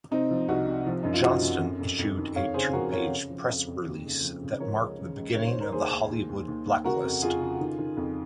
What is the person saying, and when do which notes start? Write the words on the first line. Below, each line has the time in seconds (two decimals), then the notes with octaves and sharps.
Johnston issued a two-page press release that marked the beginning of the Hollywood blacklist.
0.11 C3 C4 D#4
0.31 F3
0.48 C2 D#4 F#4
0.67 C3
0.86 F3
1.03 F#2 D#4
1.14 F4
1.23 F3 D#4 F#4
1.42 F#2
1.60 F2
1.80 F2
1.99 F2
2.18 D#3
2.35 F2 C#5 F5
2.54 C#3 G#4 C5
2.73 F3 F#4 A#4
2.92 C#3 A#4 C#5
3.10 C#3
3.30 F3
3.49 F2
3.67 F2
3.86 D#2
4.04 C#3
4.22 F3
4.41 C#3
4.60 F3 A#4 C#5
4.79 C#2
4.98 C#3
5.16 C#2
5.35 D#3 C#5
5.48 C5
5.54 D#3
5.61 A#4
5.72 D#2 G#4 C5
5.91 D#2
6.10 D#2
6.29 D#2
6.48 D#2
6.66 D#2
6.84 C#3 F#4 A#4
7.03 F2
7.22 F2 F4 G#4
7.40 C#3
7.60 D#3
7.78 D#3
7.97 F2